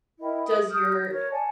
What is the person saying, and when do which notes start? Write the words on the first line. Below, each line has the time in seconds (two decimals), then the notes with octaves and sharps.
does your
0.20 E4 A#4 D#5 G5
0.44 D#6
0.68 D#6 F6 G6
1.09 A#4 C#5
1.31 D5 F#5 G#5 A5